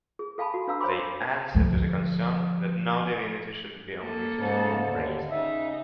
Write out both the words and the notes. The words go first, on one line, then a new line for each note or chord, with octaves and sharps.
They answer to the concern that no divinity should be omitted from praise.
G#4
A4 F5 G#5 A5 B5
F#4
D4 B4 F5 A#5 E6
C5 C#5 G#5 B5 C6 D6
D3 F3
A#3 A4
G#2 C#3
D#2 D3
C#3 D#4 E5